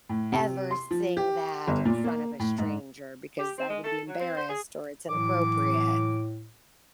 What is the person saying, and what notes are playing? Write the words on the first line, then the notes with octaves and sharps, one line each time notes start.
ever sing that in front of a stranger because I would be embarrassed or it's inappropriate?"
A2
C3
C6
F3
G4
G1
A#2
A#3
A2
G#2
G4
C4
G#3
A4
F#3
C4
C5
G#4
A2 E3 F#3 D6